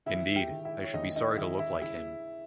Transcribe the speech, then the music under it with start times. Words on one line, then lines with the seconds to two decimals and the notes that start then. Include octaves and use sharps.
Indeed, I should be sorry to look like him.
0.06 D#3 E4 E5
0.36 G4 G5
0.50 D#3
0.65 E4 E5
0.83 C#5
0.94 D#2 D#4 D#5
1.16 D#4 D#5
1.38 D#3 E4 E5
1.59 E4 E5
1.82 C#3 E4 E5